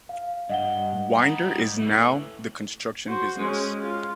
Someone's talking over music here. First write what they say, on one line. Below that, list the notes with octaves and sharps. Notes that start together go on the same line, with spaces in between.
Winder is now in the construction business.
F5
G2 D#5 F#5 G7
G3 D#4
A2 E3
F#4 C5
G#3 C#4
F4